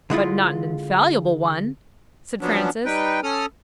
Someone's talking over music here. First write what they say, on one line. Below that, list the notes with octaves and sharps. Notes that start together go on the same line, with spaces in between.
"But not an infallible one?" said Francis.
D3 G#3 E4 F4
F3 F#3 B3 C#4 D4
G3 D#4 B4 G5
C#4 A4 D#6 F6